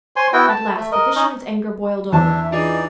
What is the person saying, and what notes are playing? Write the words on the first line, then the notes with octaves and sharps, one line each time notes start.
At last the fisherman's anger boiled over.
C5 C#5 G#5 C6
B3 E4 F#4 G5
A5
A3
A#4 D#5
C#4 D#4
E2 D4 E5 A5
E3 D4 D#4 F4 G#4 D5